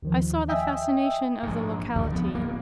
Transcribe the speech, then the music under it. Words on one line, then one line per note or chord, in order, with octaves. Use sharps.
I saw the fascination of the locality.
D#2 D#3 F3
D#5 E5 G5 G#5 D#6 E6
A#1 G#2
D2 D3 D#3
F3 B3
D1 A#3 B3